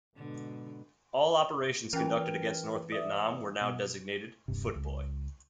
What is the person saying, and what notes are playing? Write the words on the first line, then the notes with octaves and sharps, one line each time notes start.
All operations conducted against North Vietnam were now designated "Footboy".
G#2 B2 D3
E3 C#4 F4 A#4 G5 F6
D5 E5 D#6
B2
D#1 G2 C3
C#2